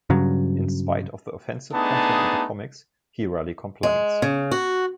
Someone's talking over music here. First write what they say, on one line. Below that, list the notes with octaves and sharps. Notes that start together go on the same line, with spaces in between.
In spite of the offensive content in the comics, he rarely complains.
G2 C#3 F#3
A3 B3 D4 D#4 G#4 A5
G#3
C#3
F#4